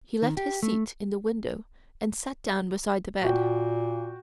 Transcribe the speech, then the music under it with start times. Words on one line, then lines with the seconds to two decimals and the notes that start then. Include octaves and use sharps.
He left his seat in the window and sat down beside the bed.
0.22 D#3
0.37 G4
0.63 A3
3.22 A#2 F#4 G5